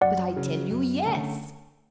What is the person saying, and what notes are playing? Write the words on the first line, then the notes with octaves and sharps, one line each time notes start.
"But I tell you yes."
F#2 D5 F#5
C#3 F#3
F#2
D3 A3 C#4